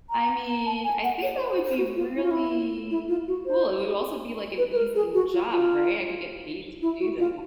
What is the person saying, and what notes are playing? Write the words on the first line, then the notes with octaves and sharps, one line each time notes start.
I mean, I think that would be really cool. It would also be, like, an easy job, right? I could get paid to do that.
A#5
A5
G#5
F#5
C#5
C5
C5
C5
F#4
F4
E4
F4
E4
E4
F4
F#4
C5
B4
B4
A#4
G#4
F#4
F4
F4
E4
F#4
F4